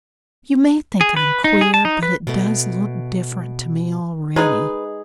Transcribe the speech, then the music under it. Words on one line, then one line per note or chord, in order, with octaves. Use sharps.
"You may think I'm queer, but it does look different to me already!"
G#4
B4
D#4
G#4
A5
D#4
B4
B2 A3
G#3 D#4 G#4 B4